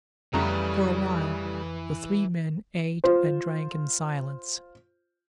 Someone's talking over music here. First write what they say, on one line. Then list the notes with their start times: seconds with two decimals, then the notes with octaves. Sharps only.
For a while the three men ate and drank in silence.
0.34 F2 C#3 E3 G3 A3 B4 A#5
3.04 F4 C5